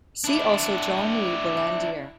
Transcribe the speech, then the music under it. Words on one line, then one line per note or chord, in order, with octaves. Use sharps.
See also Jean-Louis Berlandier.
D4 E4